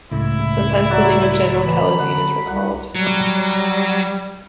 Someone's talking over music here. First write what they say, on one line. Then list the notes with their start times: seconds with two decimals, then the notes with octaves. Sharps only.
Sometimes the name of General Kaledin is recalled.
0.12 C#2 A2 E4
0.55 F#2
0.90 C2 F#3 D5 F#5
1.58 E3 B5
1.99 D3 F#5
2.47 C2 F#5
2.95 F#3 G3